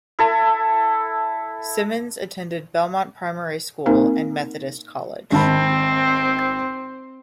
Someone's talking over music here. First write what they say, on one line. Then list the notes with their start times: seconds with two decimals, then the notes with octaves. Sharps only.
Simmons attended Belmont Primary School and Methodist College.
0.19 E4 A4
3.86 A#3 C4 D#4 A#4
5.32 G#1 C4 A5 B5